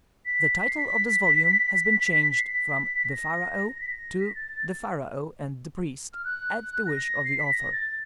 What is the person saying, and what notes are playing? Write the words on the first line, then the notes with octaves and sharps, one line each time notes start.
The title of this volume has been changed from "The Pharaoh" to "The Pharaoh and the Priest," at the wish of the author.
B6
B6
C7
B6
C7
B6
A#6
A#6
B6
A#6
B6
A#6
A6
F6
F#6
A#6
C7
B6
A#6
A6